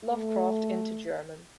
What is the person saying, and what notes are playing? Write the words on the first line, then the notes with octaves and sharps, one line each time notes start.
Lovecraft into German.
A3